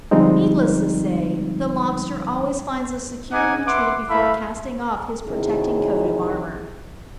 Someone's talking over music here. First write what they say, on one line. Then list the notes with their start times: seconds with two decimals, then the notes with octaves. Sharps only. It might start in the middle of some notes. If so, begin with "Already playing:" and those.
Needless to say, the Lobster always finds a secure retreat before casting off his protecting coat of armour.
0.11 D3 F3 G3 G#3 C4 D#4
3.32 D#4 G#4 F#5 G#5 D6
3.65 B4 E5 F#5 C6 D6
4.09 A3 E4 E5 F5 B5
5.26 C3 D#3 F#3 C#4 E4 G#4